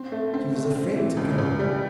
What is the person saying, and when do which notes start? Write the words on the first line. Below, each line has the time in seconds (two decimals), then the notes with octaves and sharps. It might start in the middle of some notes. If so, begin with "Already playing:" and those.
He was afraid to go.
Already playing: C4
0.12 A3
0.34 C4
0.55 A3
0.75 C4
0.96 E3
1.17 C#2
1.38 C#2
1.59 G3